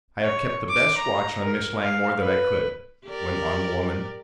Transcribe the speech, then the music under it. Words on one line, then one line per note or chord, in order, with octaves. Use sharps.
"I have kept the best watch on Miss Langmore that I could," went on the woman.
C#5
D6
A#5
A#4
F5
B4
G4 A#4 D5